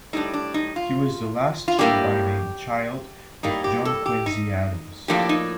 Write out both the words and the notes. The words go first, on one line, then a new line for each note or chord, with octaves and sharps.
He was the last surviving child of John Quincy Adams.
A2 G3 D4 D#4
D4
D#4
F4
F4
A2 G3 A#3 D4 G4
A2 G3 A#3 D#4
G4
A4
G4
D#4
A2 F3 A#3 D4 G4
D#4